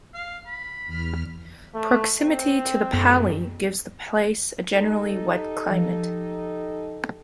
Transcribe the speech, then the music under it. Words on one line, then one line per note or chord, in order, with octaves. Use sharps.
Proximity to the "pali" gives the place a generally wet climate.
F5
B5
E2 F6
A3
C4
F#2 B3
D#4 G4 A4
F3